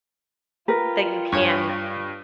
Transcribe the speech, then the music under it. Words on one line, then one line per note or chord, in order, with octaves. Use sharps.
that you can,
F4 A#4 B4 G5
G2 C#5 G#5 C#6